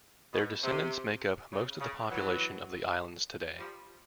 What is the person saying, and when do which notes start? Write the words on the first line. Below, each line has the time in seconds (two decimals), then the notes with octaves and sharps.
Their descendants make up most of the population of the islands today.
0.33 B2
0.63 C3
1.52 C#3
1.80 C#3
2.10 E3 F#3
3.58 F3 G3